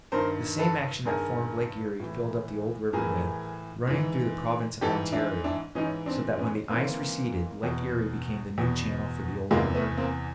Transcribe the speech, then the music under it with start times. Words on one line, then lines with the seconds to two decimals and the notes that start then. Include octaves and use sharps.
The same action that formed Lake Erie filled up the old river bed running through the province of Ontario, so that when the ice receded Lake Erie became the new channel for the old river.
0.12 G2 D#3 A#4 C5
0.58 A4 B4
1.05 G2 D#3 G#4 A#4
2.00 A2 E3
2.93 A2 E3 G#4 A#4
3.87 G#2 E3
4.81 G#2 E3 G4 A4
5.12 D4 E4
5.44 D4 E4
5.75 G#2 E3 C#4 D#4
6.06 C4 D4
6.38 B3 C#4
6.69 G#2 E3 A#3 C4
7.63 E2 B2
8.58 E2 B2
9.51 E2 C3 E3 G#3 A#3
9.74 A3 B3
9.97 A#3 C4